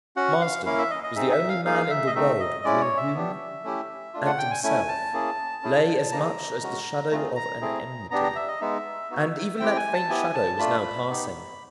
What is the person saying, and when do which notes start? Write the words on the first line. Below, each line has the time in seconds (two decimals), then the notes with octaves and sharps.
Marsden was the only man in the world between whom and himself lay as much as the shadow of an enmity; and even that faint shadow was now passing.
0.16 C#4 F#4 F#5
0.41 F5
0.66 A#3 C#4 E4 F5
0.78 E5
0.90 D#5
1.03 D#5
1.16 C4 D#4 G#4 E5
1.32 E5
1.49 F5
1.65 A#3 D#4 G#4 F5
1.90 E5
2.07 D#5
2.15 A3 C4 D#4 E5
2.40 D#5
2.64 G#3 C#4 E4 D5
2.81 C#5
2.97 E5
3.15 B3 D4 G4
3.64 A3 C#4 E4 G4
4.14 A3 D4 F4
4.26 F#5
4.38 G5
4.51 G#5
4.63 A3 C#4 E4 G#5
4.88 A5
5.13 A#3 C#4 E4 G#4
5.63 C#4 E4 G#4
6.12 A#3 D#4 G#4 A#5
6.62 G#3 C#4 F#4
7.11 A3 C4 F4 G#4 A#5
7.36 A#5
7.61 A3 C4 E4 G#4
8.11 B3 D4 G4 A#5
8.24 A#5
8.36 E5
8.48 D#5
8.61 G#3 B3 D#4 E5
9.10 B3 D#4 F#4
9.60 C4 E4 G4 G5
9.77 G#5
9.93 A5
10.09 B3 E4 G4 G#5
10.34 A5
10.59 A3 D4 F4 B5
11.09 B3 D#4 G4